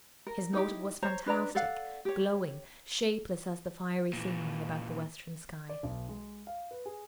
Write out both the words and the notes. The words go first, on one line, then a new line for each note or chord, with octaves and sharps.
His motive was fantastic, glowing, shapeless as the fiery scenery about the western sky.
A#4
D#4 E4 G4
C5 C#5 A#5
D4 B4 D5 A#5
A4 D5 F5 F#5
G4 C#5
A#2 E3
D5
B1
G#3
F5
B4
G#4